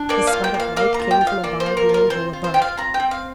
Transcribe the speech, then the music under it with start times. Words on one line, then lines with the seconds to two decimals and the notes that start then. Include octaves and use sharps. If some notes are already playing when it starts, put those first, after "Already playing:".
The spot of light came from a barred man-hole above.
Already playing: D4
0.09 A#3 D5
0.27 F5
0.33 F4
0.44 G5
0.54 A#3
0.60 F5
0.77 A#3 F5
0.94 A#5
0.99 F4
1.11 G5
1.21 F4
1.27 F5
1.44 A#3 D5
1.60 C5
1.66 A#3
1.77 A#4
1.89 F4
1.94 A#4
2.10 C4 C5
2.33 F4
2.44 C5
2.54 F4 G5
2.62 F5
2.78 C4 A#5
2.94 G5
3.00 C4
3.11 F5